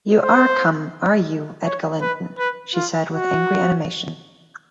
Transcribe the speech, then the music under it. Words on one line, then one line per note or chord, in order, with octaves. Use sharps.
'You are come, are you, Edgar Linton?’ she said, with angry animation.
C5
C#5
B4
B4
F4
F#4